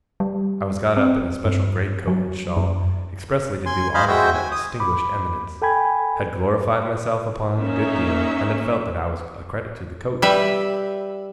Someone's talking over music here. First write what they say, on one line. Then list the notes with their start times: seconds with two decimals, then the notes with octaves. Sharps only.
I was got up in a special great-coat and shawl, expressly to do honour to that distinguished eminence; had glorified myself upon it a good deal; and had felt that I was a credit to the coach.
0.20 G3
0.97 C4
1.45 G2
2.08 F#3
2.57 F#2
3.66 G#5 C6
3.94 C5 D#5 F5 G#5 B5
4.08 G#3 F#4 C5 E5 G5
4.34 G#5
4.52 D#6
4.80 B5 D6
5.62 A4 G5 G#5 B5 G#6
7.58 A#3 C#4 D#4 E5
10.22 G3 B4 E5